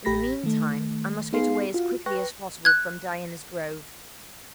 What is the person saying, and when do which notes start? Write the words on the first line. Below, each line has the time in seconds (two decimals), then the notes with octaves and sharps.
In the meantime, I must get away as quickly as possible from Diana's Grove.
0.05 A1 G4 B5 A#6 B6
0.44 D#3 A3
1.33 B3 D#4 G#4 F5 C6 C7
1.74 F4 F#4
2.06 B4 G5 C#6 F#6 A#6
2.65 F#6 G#6